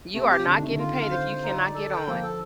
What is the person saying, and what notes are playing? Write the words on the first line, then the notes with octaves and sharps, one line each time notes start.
You are not getting paid if you cannot get on.
C3 A3
G4
D3 D4
D#3 A3
D3
F4
F5
C5
F4
D#4
D5
A4
G5
F3 A#3
A4